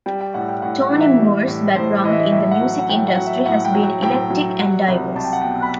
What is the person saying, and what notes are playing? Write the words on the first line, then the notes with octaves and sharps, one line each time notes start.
Tony Moore's background in the music industry has been eclectic and diverse.
G3 G5
G5
A2 F#5
G5
A2 F#5
F#5
E3
E5
G3
A2
A2 C5
E3 D#5
E5
D#5
A2 E5
F#5
F#3
F#5
A2 G5
F#5
F#3
E5
A2 F#5
G5
F#3
G5
A2 G5
F#3
G3 F#5
C2
C2 A5
G5
F#5
B2 G5
B5